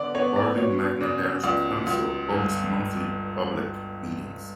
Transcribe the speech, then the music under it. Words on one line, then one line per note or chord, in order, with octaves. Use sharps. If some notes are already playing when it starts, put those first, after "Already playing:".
Barling Magna Parish Council holds monthly public meetings.
Already playing: D3 B3 D5
B3 C#5
D5
F#3 C#5
C#3 D5
C#2 D5
C#2
G1